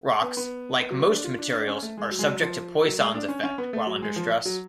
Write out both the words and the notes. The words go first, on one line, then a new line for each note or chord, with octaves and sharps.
Rocks, like most materials, are subject to Poisson's effect while under stress.
B3
B3
B3
F#3
B3
D4
F4
D4
D4
C#4
A3
G#3
F#3
G#3
F#3
F3
F#3
G#3
D4
C#4
C#4
B3
A3
F#3
G#3
F3
F#3